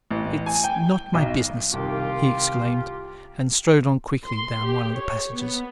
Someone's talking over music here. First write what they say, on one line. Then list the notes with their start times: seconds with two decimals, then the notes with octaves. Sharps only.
"It's not my business!" he exclaimed, and strode on quickly down one of the passages.
0.10 A1
0.46 G#5
0.64 G5
1.14 B1
1.73 C2 D#3 F4 G4
4.28 C6
4.65 G4
4.94 C#5
5.32 B3